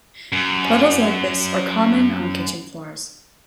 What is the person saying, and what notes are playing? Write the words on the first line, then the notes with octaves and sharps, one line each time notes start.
Puddles like this are common on kitchen floors.
F#2